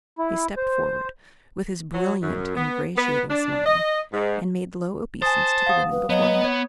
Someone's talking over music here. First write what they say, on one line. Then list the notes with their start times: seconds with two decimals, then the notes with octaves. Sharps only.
He stepped forward, with his brilliant ingratiating smile, and made low obeisance to the women before him.
0.19 E4
0.57 C5
1.93 F#3
2.22 F#2
2.56 B3
2.97 B3
3.29 D4
3.66 D#5
4.12 G#2
5.22 C5 G#5 A5 D#6
5.66 F5 F#5 D#6
5.92 B4
6.10 F#3 B3 B4 D#5
6.44 C#5